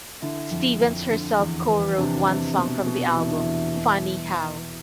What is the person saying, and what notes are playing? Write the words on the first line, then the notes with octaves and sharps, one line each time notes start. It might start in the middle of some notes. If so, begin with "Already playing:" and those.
Stevens herself co-wrote one song from the album; "Funny How".
D3 E4
F2
F2
D3
E2
E3
C3 D4
C3
B2
B2
E2 E4
D4
E4
E2
B2